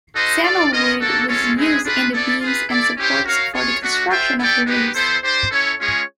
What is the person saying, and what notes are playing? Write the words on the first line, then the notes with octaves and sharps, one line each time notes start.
Sandalwood was used in the beams and supports for the construction of the roofs.
D#4 F#4 A4 C5 D#5
F4 A4 D5
C#4 F4 A#4 D#5
A#3 D4 F#4 A4
G#3 C#4 F4 A4 C#5
G#3 C4 E4 G#4 B4
D4 F4 G#4 B4
B3 E4 A4 D5
F4 G#4 B4
E4 A4 D5
C#4 E4 G4 C5
F#4 A#4 C#5 F5
F4 G#4 C#5
A3 D4 F#4
F4 A4 C5 E5 G5
B3 E4 A4 D5 G5
G#3 B3 D#4 G4 B4
B3 E4 A4 C5
D4 G4 C5
C#4 E4 A4 C#5
G#3 C#4 F4 G#4 C#5